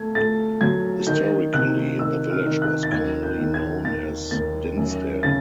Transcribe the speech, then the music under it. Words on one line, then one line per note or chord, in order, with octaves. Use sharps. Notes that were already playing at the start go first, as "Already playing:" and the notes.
Historically the village was commonly known as Dinsdale.
Already playing: A3 G#6
A3 A6
F#3 G#6
D#3 G6
C3 F#6
D#3 E6
F6
D#3
F#6
A6
D#2 G#6
G6
D#2
G#6
D#2 A6
D#2 A6
F#2
C#3 A6